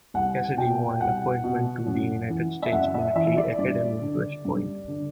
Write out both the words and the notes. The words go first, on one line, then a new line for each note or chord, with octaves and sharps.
Cassidy won an appointment to the United States Military Academy at West Point.
C2 F#5
B2 G5
C2 F#5
B2
F#2
E3
E5
F#2 F#5
E5
E3 E5
D5
G2 D5
D3
G2
D3